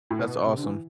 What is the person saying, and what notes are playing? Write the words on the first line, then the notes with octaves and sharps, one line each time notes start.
That's awesome.
A2
B2
C3
D3
E3